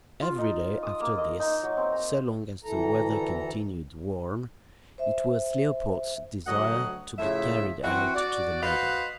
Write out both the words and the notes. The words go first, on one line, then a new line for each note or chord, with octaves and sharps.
Every day after this, so long as the weather continued warm, it was Leopold's desire to be carried out to the meadow.
F4
D#4
D#6
A#3
D#5
D#4
F#3
C4
A#5
D2 E3 A4 A#5
C5 E5
D2 F#3 D#5 F#5
A2 C#3 F3 E5
E3 C4 F#4
F#4 D5
F#4 B4 C5 D#5 F5